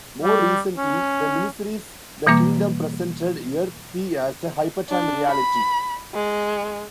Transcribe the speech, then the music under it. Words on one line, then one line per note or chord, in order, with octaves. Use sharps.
More recently, the miniseries "The Kingdom" presented Earth-C as a Hypertime reality.
G3
C#4
B2 E3 G3 A#3 D6
D4
B5
G#3